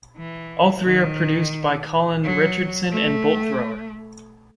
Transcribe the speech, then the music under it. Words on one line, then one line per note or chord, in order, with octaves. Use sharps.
All three are produced by Colin Richardson and Bolt Thrower.
E3
D#3
F#3
A3